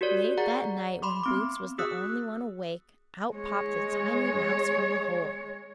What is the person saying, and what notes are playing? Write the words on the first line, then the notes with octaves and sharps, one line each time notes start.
Late that night when Boots was the only one awake, out popped a tiny mouse from the hole.
F#4 G4 A#4 C#5 D5
G#4 D5 F#5 A#5 A6
B5 C6 D6
B3 C4 D6
F#4 G#4 D#6 E6 F#6
G#3 C#5